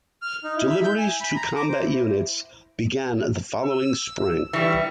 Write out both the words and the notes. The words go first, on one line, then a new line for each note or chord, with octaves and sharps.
Deliveries to combat units began the following Spring.
F6
D#4
E4
E5
G6
G#5
B5
A#5
D6
C5
E4
E6
E3 G3 C#6